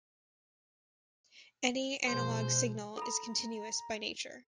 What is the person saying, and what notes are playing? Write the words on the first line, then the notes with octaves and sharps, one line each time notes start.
Any analog signal is continuous by nature.
F#2 B2 F3 G#3 C5
A4 A#5 B5